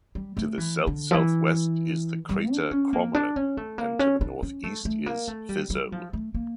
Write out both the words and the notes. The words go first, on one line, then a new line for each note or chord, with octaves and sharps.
To the south-southwest is the crater Crommelin, and to the northeast is Fizeau.
G3
A3
E3
D3
F3
E3
G3
D4
C#4
A#3
D4
C#4
A3
A#3
C#4
D4
C#4
A3
A3
A#3
A3
G3
G3
F3
A3
A#3